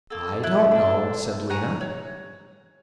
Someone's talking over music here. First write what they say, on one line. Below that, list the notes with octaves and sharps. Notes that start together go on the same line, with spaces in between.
"I don't know," said Lena.
A#3 A4
E4 F#6
D4 A4
G#5 A#5 C#6 F#6
C#5